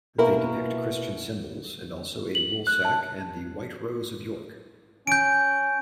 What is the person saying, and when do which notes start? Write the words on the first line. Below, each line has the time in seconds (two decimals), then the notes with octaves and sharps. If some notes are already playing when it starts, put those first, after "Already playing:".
They depict Christian symbols and also a woolsack and the White Rose of York.
0.18 B2 A#3 E4 A#4
2.35 F#7
2.67 F#6
2.85 A5
5.07 C#4 G6 D7